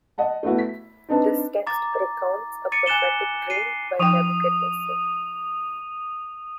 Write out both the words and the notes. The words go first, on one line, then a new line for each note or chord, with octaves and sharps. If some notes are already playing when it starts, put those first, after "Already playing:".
This text recounts a prophetic dream by Nebuchadnezzar.
D#5 F#5 A5
A3 B3 E4 F#4
B6
C4 D4 D#4 B4 A5
A#5 D6 A6
D6 A6 C#7 D#7
G#5 F#6 A6 E7 G7
C7 D#7
F3 D#4 G5 D#6 D#7 F7